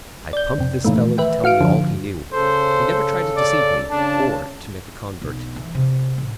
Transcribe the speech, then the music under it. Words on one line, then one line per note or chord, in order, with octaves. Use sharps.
I pumped this fellow to tell me all he knew: he never tried to deceive me, or to make a convert.
D5 G6
F2 C3
F#2 A#2 D#3 E3 A3
B4 E5 G5
F#4 F5 F6 D7
F#2 D3 F3
C#3 A4 C5
D5
C#3 D4 A5
B1
E3
C3
A1